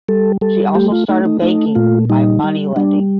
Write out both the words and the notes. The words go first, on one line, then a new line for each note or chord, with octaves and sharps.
She also started banking by money lending.
G3 A4
G3 A4
A3 G4
F4
A3 D#4
D#4
A3 D#4
A#2 F4
G3 D#4
G3
G3 D4